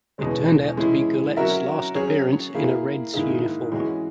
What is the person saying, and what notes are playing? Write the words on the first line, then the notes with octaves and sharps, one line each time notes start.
It turned out to be Gullett's last appearance in a Reds uniform.
E2 B2 G#3 C#4
E3 G#3 C#4 E4 G#4
F#3 C#4 F#4 A#4 E5
F#3 C#4 G#4 C#5
A#3 E4 G#4
G#2 D#3 A#3 E4 G#4
E3 G#3 C#4 F#4